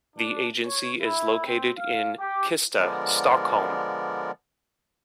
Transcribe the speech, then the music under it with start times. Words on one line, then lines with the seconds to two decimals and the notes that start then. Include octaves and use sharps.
The agency is located in Kista, Stockholm.
0.15 D4
0.64 C#5
1.01 E4
1.45 C4
1.78 F5
2.19 G4
2.79 D3 F3 G#3 B3 A#4 D5